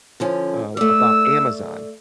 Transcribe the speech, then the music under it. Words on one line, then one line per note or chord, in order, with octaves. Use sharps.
uh, about Amazon.
D3 F3 C#4
A3 D5 E6